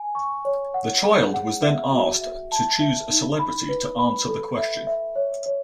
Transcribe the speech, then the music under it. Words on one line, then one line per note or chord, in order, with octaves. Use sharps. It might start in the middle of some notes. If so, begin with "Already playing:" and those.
The child was then asked to choose a celebrity to answer the question.
Already playing: G#5
C#6
C#5
F#5
G#4
F#5
E5
F#4
E5
A5
E5
D#4
B5
B4
B5
A4
E5
E5
C#5
C#5